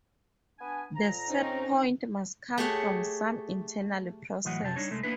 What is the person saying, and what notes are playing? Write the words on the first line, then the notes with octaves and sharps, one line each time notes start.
The setpoint must come from some internal process.
B3 D4 G#5
F2 A#2 A#5
C4 C#4 D#4
A3 G4 G#4 C#5 F#5
A2 E3 F#3 D#5 F#5
F#2 C3 G4 A5
G3 D4 D#4 C#5
C2 G#3 A3
A#3 B3 D4 E4 B4